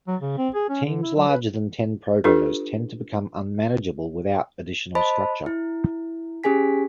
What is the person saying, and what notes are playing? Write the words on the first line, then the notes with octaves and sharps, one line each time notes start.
Teams larger than ten programmers tend to become unmanageable without additional structure.
F#3
C#3
C4
G#4
C#4
D3
E4
F#3
B4
D4 F4 G4 A4 B4
C5 D#5 A5 B5
E4
C#4 G4 G#4 G#5 B6